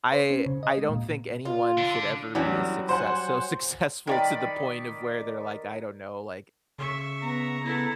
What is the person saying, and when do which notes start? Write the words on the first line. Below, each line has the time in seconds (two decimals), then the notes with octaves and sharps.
I I don't think anyone should ever be a success so successful to the point of where they're like, I don't know, like,
0.12 C5
0.30 C#4
0.46 C#3
0.63 D#5
0.78 G#3
0.89 A#2
1.45 F4
1.78 D3 D4
2.35 E2 F#3 G3 C#4
2.89 C5 F#5 G#5
4.07 D#3 D5 B5
6.79 C#3 E5 C#6
7.22 B3 A#5
7.64 B3 E4 A4